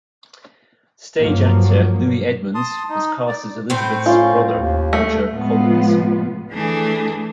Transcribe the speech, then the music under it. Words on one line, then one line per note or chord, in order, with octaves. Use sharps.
Stage actor Louis Edmonds was cast as Elizabeth's brother Roger Collins.
G2 F3 F#3 A#3
A5 C6 D#6
D#4
D5
A2 C4
C#4 F4
D#2
A3
A2 C3 F3 G#3 B3 F4
E3 A3 D4 G#4